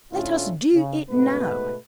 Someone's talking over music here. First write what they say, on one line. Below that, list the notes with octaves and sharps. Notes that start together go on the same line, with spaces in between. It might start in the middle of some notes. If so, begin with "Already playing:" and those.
'Let us Do It Now.
D2 A2 C#4 D4 E4 F4
C#3
G#2 B2 A3 B3 B4